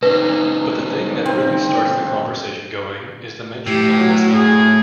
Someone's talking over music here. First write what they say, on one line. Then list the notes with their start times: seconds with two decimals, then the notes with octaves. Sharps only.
But the thing that really starts the conversation going is the mention of lesbianism.
0.03 A#2 C#3 D#4 B4
1.26 C4
3.67 A2 G4
4.00 F#3
4.33 G#4